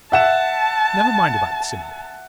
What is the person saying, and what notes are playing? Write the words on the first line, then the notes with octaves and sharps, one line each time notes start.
Never mind about the simile.
E5 F#5 A5 E7